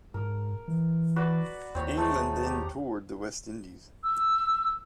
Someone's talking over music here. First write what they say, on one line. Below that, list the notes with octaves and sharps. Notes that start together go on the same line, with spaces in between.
England then toured the West Indies.
G#2 A#4
E3
F#4 B4 D5
D#2 C4 C#5 A#5
G#3 A3 D#4
G4 A#5
E6